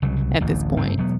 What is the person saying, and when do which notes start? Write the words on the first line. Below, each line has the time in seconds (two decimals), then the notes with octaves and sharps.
at this point
0.02 C2 C#3 F#3
0.40 D1 A1 D2
0.77 F#1 G2 C4
0.97 E1 F#3 B3